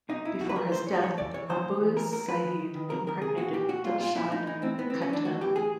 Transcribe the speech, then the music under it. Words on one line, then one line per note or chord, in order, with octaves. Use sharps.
Before his death, Abu Sa'id impregnated Dilshad Khatun.
B2 D#4
B2 E4
B2 F#4
B4
E3 A#4
A2 C5
A2 C#5
E3 C#5
E3 D5
E3 C#5
E3 C5
A2
E3
E3 A#4
A2 A#4
E3 B4
D#3
D#3
D#3
C3 A#4
D#3 A#4
C3 G#4
A#2 F#4
A#2 G4
A#2 F#4
A#2 F4
A#2 F4
A#2 E4
A2 D#4
E3 D#4
A2 C4
A2 B3
E3 C4
C#4
E3 D4
A2 F#4
E3 G4
A2 G#4